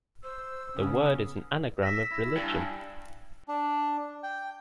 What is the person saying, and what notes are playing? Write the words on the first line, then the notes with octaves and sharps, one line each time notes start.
The word is an anagram of "religion".
C5 E6
C#3 B3 C#4 D#6
E6 A#6 B6
E4
G2 G#5
D4
G5